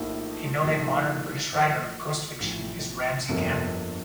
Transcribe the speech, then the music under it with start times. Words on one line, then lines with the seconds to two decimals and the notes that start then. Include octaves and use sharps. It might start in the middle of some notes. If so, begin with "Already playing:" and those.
A noted modern British writer of ghost fiction is Ramsey Campbell.
Already playing: A#1 A2 F3 A#3 D#4
0.64 A#1 A2 F3 A#3 D#4
1.52 A1 A2 F3
2.40 A1 A2 F3
3.28 G1 F2 D3 F3 A#3